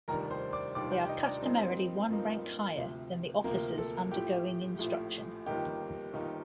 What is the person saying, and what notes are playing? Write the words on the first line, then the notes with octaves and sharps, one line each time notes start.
They are customarily one rank higher than the officers undergoing instruction.
F1 D#2 D#3 G3 D4 A#4 A#5
C5 C6
D5 D6
F1 D#2 D#3 G3 D4 D5 D6
G4 G5
D#4 D#5
D4 D5
G2 F3 A#3 C4 D#4 C5
G2 F3 A#3 D#4
D2 C3 F3
D2 C3 F3 A#3 A#4
A4
A#1 A2 F3 A3 G4
A#1 A2 F3 A3
G1 F2 D#3 A#3 D#4 G4
G1 F2 D#3 A#3 D#4